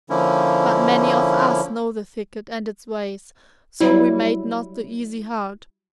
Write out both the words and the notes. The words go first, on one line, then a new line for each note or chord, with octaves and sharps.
But many of us know the thicket and its ways; so we made not the easy hard.
D3 F3 A#3 C#4 E4
F#3 G3 E4